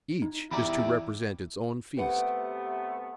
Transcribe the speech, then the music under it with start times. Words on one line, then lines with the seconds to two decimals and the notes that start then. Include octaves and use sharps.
Each is to represent its own feast.
0.22 D#4
0.51 E2 E4 G4 D5 A#5 B5
1.97 C3 A3 B3 G4 B4 F#5